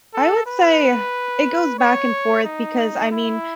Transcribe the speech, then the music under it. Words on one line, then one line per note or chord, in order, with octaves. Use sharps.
I would say, it goes back and forth because, I mean,
A4
B4
C#5
D#4
E4